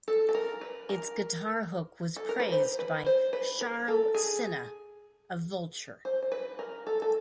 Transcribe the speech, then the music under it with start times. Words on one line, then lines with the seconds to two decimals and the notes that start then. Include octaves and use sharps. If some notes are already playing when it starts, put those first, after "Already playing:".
Its guitar hook was praised by Charu Sinha of "Vulture".
0.08 A4
0.29 A4
0.35 A#4
0.61 B4
0.89 A#4
2.16 A4
2.29 A#4
2.40 B4
2.52 C5
2.79 B4
3.06 C5
3.33 B4
3.61 A#4
3.88 A4
4.14 G#4
6.05 C5
6.23 C5
6.32 B4
6.59 A#4
6.87 A4
7.02 A4